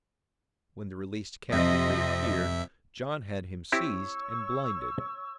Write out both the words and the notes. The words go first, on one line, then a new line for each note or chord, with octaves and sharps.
When the released captive reappeared, John had him seized and blinded.
F2 C3 F3 D#5 E5
C4 E4 G4 C#5 C#6 E6